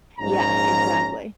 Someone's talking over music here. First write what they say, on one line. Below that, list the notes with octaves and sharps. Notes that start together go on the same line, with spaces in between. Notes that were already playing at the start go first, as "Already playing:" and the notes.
Yeah, exactly.
A#1 G#2 F3 C#4 A#5